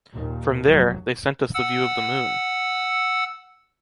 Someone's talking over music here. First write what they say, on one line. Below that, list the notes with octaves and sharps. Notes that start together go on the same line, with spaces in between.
From there, they sent us the view of the Moon.
D#2 A#2 D#3
F1 F#3
F#5 E6